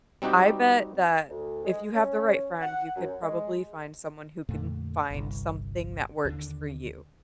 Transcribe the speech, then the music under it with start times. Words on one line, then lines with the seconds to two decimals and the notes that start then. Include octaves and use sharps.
I bet that if you have the right friend, you could probably find someone who can find something that works for you.
0.22 G3 C4 D#4 F#4 G4
1.29 D2
1.64 G#3
1.95 C#4
2.62 F#5
2.96 F#2
3.22 G#3
4.49 F2 A#2 D3 A3
5.11 G1 C2
6.25 D#2 D3 D4